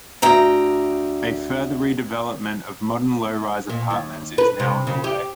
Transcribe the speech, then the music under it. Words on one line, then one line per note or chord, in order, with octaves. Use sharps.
A further redevelopment of modern low rise apartments is now underway.
D2 G5 A#5
A#2
D#2
B4
C3
C#3
G4